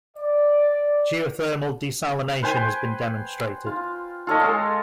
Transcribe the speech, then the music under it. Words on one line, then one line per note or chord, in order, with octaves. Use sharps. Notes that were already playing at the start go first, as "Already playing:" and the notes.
Geothermal desalination has been demonstrated.
D5
B4 C5 G5 G#5
F4
F4 A4 C#5 D#5
G#3 A4